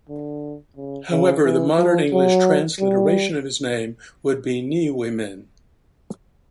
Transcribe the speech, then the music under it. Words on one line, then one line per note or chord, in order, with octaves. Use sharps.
However, the modern English transliteration of his name would be Neuymin.
D3
C#3
C#3
E3
F3
F#3
G3